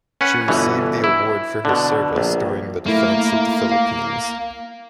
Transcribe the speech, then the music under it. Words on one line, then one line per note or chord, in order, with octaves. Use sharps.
She received the award for her service during the defense of the Philippines.
C#4 B4 F#5
G1 B2 E3
E4
B2 D3
A#1
A3 A#3 E4
F5